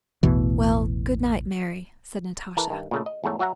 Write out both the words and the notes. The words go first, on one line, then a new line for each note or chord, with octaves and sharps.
"Well, good night, Mary!" said Natasha.
A1 E2 B2 E3
E3 A4 A#4
G2 D#3
A#2 C#3 A3
D#5
E2 G#2 A3 C#5 A#5
F#3 F#4 E5 F#5 A#5